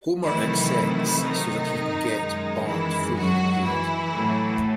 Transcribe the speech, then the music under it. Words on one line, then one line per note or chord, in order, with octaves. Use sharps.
Homer accepts so that he can get Bart fully repaid.
C3 D#3 E3 F#3 A3 E4
D#3 D#4
F#2 D#3 G#3
E3 E4
F#3 F#4
E3 E4
A2 F#3 A3